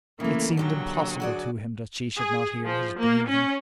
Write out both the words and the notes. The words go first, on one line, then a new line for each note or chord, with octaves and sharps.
It seemed impossible to him that she should not hear his breathing.
C#3 E3 A3 A#3
E2 A#2 D3 F#3 G4
F#4 G#4 D5
G#4
F3
A#3
C#4